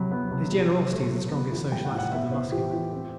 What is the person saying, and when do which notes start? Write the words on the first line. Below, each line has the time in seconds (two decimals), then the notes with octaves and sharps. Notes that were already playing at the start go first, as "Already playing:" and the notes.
His generosity is the strongest social asset of the Muscular.
Already playing: C3 F#3 B5
0.11 B3
0.31 C3
0.52 C3
0.71 F#3
0.91 A3
1.12 C3
1.31 B3
1.52 E3
1.72 G3 G5
1.85 F#5
1.92 A2
1.98 F#5
2.12 B3 E5
2.32 B3 C5
2.52 E3 G4
2.73 E3
2.93 C4